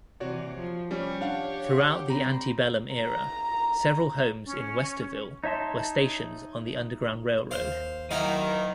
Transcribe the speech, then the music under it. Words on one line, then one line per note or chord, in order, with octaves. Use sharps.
Throughout the Antebellum era, several homes in Westerville were stations on the Underground Railroad.
C3 E3 F#4 C#5 D5
F3
G3 C#4 G4 C#5
D4 F5 F#5
C4 A#5 B5
A#5
C#4
D#4 C#5 E5 A5 C6
D#2 C5 F5
D#3 F#3 D#4 E4 D#5 F5 F#5